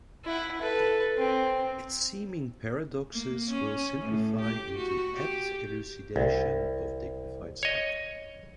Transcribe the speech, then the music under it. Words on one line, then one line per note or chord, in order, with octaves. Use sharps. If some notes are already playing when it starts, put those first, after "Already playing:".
Its seeming paradoxes will simplify into apt elucidation of dignified study.
E4 F#5
A4 B4
C4
A#3
C#4
A2
G4
F#4
G4
C2
C#5 D#5